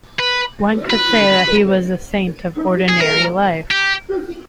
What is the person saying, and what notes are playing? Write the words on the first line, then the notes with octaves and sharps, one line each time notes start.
One could say that he was the saint of ordinary life.
B4
B4
G#4
A#4
G4